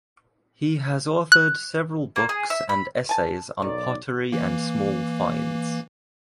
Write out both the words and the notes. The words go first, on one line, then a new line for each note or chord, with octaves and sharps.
He has authored several books and essays on pottery and small finds.
F#6
A#3
G#4
E5
B5
G#5 A5
B1 D#3 D5
E3 A#3